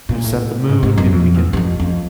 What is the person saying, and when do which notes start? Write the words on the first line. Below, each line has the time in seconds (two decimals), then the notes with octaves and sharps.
you know, set the mood. Maybe we can
0.09 A#2
0.24 A2
0.69 G#2
0.83 G#2
0.98 F#2
1.12 F2
1.35 E2
1.53 E2
1.57 F2
1.80 F2